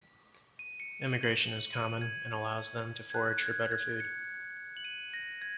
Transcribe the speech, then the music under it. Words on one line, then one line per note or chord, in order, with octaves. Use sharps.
Immigration is common and allows them to forage for better food.
D#7
C#7
D#7
F#7
F#7
D#7
G#6
G#6
F#6
G#6
G#6
C#7
F#7
D#7
A#6
G#6